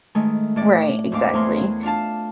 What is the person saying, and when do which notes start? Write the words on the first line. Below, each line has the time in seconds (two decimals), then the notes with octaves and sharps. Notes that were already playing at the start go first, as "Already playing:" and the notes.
Right, exactly.
0.15 D#3 G#3 A3
0.56 A2 D5
1.12 D#2 G#2 C4 D4 F5 D6
1.33 E2 A3 A#4 C#5 B5 C6
1.83 D4 F4 F5 A5